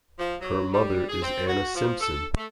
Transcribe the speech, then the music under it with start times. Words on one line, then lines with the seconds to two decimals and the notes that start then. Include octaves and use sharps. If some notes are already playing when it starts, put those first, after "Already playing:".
Her mother is Anna Simpson.
0.19 F3
0.41 F#3
0.73 G3
1.09 G#4
1.22 C4
1.48 F#4
1.75 F3
2.01 A4
2.37 A3